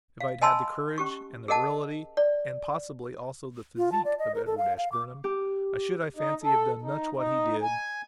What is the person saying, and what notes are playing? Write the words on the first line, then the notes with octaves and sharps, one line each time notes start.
If I had had the courage and virility and possibly also the physique of Edward Ashburnham I should, I fancy, have done much what he did.
F5
D#5 G#5 A5 B5 C6 E6
C#4 G4 C#6
G#4 A#4 D#5 F#5 A5
D5
F4
A5
D5
D#5
A#4
A4
F5
F5
D6
G4
D#4
A4
D#4
D#4
G#5